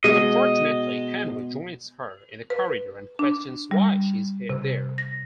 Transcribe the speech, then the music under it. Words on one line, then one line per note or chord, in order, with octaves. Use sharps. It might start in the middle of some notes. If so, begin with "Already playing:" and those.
Unfortunately, Henry joins her in the corridor and questions why she is there.
B2 G#3 D#5
B4
D4
G3
C3
A#6